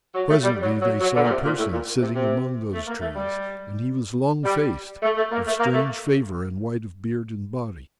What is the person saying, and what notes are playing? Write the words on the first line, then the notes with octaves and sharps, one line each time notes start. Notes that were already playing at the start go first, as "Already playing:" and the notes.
Presently, they saw a person sitting among those trees and he was long-faced, of strange favour and white of beard and body.
F#3
A3
G3
F#3
F#3
F#3
D3
A#2
C3
A#2
A2
A#2
C3
C3
A3
A#3
A3
G3
G3
A3
A3
A#3
A3
A#3
A3